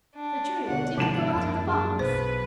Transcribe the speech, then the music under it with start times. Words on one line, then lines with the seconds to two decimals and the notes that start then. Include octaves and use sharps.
"The jury won't even go out of the box."
0.15 D4
0.68 B1 D3 C#5 F#5
0.98 G#2 C3 D#3 F3 D4 A5 D7 E7
1.35 F#2 F#3 A#3
1.67 D4 G#4
1.99 B1 B4 C5